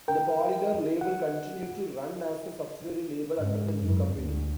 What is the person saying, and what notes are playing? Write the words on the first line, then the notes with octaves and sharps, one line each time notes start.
The "Polydor" label continued to run as a subsidiary label under the new company.
A#4 G5
F#5
G#2
F#2
D2